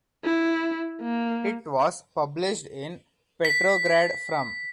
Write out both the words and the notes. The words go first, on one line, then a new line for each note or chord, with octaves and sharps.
It was published in Petrograd from.
E4
A#3
B6